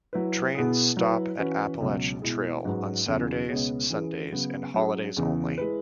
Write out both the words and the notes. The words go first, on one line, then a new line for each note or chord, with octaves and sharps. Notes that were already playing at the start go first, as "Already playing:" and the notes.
Trains stop at Appalachian Trail on Saturdays, Sundays, and holidays only.
F#3 E4 B4
B2 B3 E4 G#4
F#3 E4 B4
E3 C#4 F#4 B4
C#2 B2 F#3
B2 G#3 E4 G#4
G#2 F#3 C#4 F#4 B4
E2 C#3 F#3 E4
C#2 B2 B3 G#4 C#5
E3 C#4 E4 G#4 B4
C#3 F#3 B3
F#3 C#4 G#4
E2 C#3 E3
G#3 E4 B4